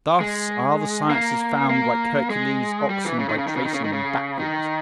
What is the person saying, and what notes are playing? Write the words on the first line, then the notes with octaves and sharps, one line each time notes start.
Thus are the sciences found, like Hercules' oxen, by tracing them backwards.
G#3
A#3
A#3
G#3
G3
E3
C#3
D#3
C#3
D#3
C#3
D#3
C#3
D#3
C#3
D#3